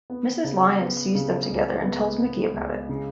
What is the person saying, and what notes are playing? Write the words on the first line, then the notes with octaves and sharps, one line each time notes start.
Mrs Lyons sees them together and tells Mickey about it.
B3
C#3
B3
C#3
C#2
B3
B3
C#2
C#3